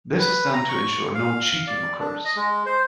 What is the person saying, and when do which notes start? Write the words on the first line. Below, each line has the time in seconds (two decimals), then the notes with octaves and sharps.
This is done to ensure no cheating occurs.
0.19 B4
0.53 A#5
0.69 C#6
1.15 F5
1.53 F5
1.67 D5
2.00 D4
2.25 D#5
2.36 G#3
2.66 C5